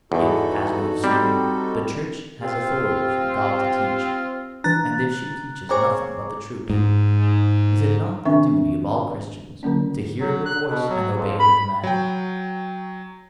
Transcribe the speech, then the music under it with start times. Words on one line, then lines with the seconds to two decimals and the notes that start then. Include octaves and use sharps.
If, as we have seen, the Church has authority from God to teach, and if she teaches nothing but the truth, is it not the duty of all Christians to hear her voice and obey her commands?
0.12 E2 D#4 F#4 A4
1.04 G3 C4 G5
2.42 C4 F4 G4
4.64 E3 D4 A#5 F#6 A6
5.69 C4 G#4 C5 C#5 G5 A#5 D6
6.70 G#2
8.25 D#3 C4 D4 E5 C#6
9.63 D3 F#3 A#3 C#4
10.20 F#3
10.46 F#6
10.69 B2
10.90 F#3
11.15 F2
11.39 B5
11.83 F#3 G5